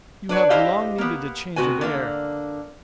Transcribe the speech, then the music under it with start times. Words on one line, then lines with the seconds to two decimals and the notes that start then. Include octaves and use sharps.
You have long needed a change of air.
0.29 D4 B4 C#5
0.50 E4 G4 C5 D#5 F5
0.98 A#3 B3
1.56 A2 C3 F#4 B4 G#5
1.81 D3 A#3